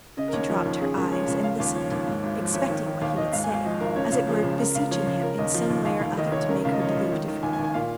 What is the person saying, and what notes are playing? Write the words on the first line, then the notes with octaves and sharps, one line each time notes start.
She dropped her eyes and listened, expecting what he would say, as it were beseeching him in some way or other to make her believe differently.
C#3 D#5
A#4
D#2 C#5
F3 A#4
D#2
C#3 G#4
C#2 A#4
F3 C#5
C#2
C#3 F5
D#2 F5
F3 C#5
D#2
G#2
G#1
F3
G#1 C#5
D#3
D#3
D#2 F5
D#2 D#5
G#2 F5
G#1 G#5
F5
F3 D#5
G#1 A#4
C#3 C#5
C#2 F5
F3 G#4
C#2
C#3 A#4
C#2 F5
F3 C#5
C#2
C#3 A#4
D#2 D#5
F3
D#2
D#2 F5
F1 F5
D#3 D#5
F1 C#5
C#3 A#4
C#2 F5
D#5
F3 C#5
D#5
C#2
D#3
D#3
D#2 G#5
G#5
D#2
G#5
A#2 F5